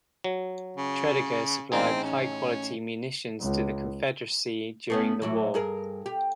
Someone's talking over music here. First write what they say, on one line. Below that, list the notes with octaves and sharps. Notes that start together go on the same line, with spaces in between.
Tredegar supplied high-quality munitions to the Confederacy during the war.
F#3
C#3
A1 C4 D#4 G#4
C#4
C#2
A3 B3 C#4
A2 E3 F#3
G2 G#4 A#4
G4